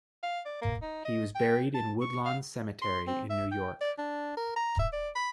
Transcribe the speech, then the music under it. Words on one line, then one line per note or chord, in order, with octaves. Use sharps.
He was buried in Woodlawn Cemetery in New York.
F5
D5
A#3
D#4
D#5
G5
A5
C#6
F5
C6
C4
E5
G5
D5
D4
A#4
A#5
E5
D5
B5